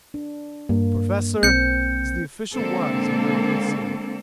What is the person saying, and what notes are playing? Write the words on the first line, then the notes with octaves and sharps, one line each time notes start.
The Professor is the official wise man of the city.
D4
G2 A#3
B1 C4 G6 C#7
D3 G#3 A#3 C4 A4